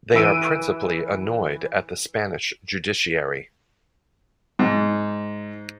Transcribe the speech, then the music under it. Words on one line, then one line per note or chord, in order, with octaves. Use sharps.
They are principally annoyed at the Spanish Judiciary.
E3 B4 E6 D7 D#7
G#2